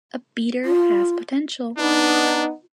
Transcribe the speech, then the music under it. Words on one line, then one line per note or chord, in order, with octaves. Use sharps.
A beater has potential.
F4
B3 D4 D#4